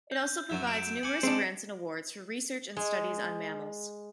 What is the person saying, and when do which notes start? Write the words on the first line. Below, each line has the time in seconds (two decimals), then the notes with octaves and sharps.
It also provides numerous grants and awards for research and studies on mammals.
0.12 G6
0.50 F#2 F#3 E5
0.67 D7 E7
1.03 G#5 D6 G6 C#7 F#7
1.23 G#3 C4 D4 D7
2.77 G#3